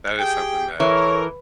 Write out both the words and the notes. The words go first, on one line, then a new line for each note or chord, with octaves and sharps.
that is something that
G4 G#4 G5
E3 A4 A#4 C#5